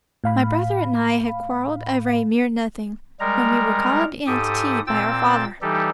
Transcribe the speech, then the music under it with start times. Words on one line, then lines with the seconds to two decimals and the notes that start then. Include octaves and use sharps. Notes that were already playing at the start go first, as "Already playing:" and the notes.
My brother and I had quarrelled over a mere nothing, when we were called in to tea by our father.
0.24 A2 F5 B5
3.20 G3 G#3 A#4 A#5
4.27 G#2 G4 A4 D#6
4.87 A#2 C4 G5 E6 A6
5.62 E3 G3 D#4 G4 A4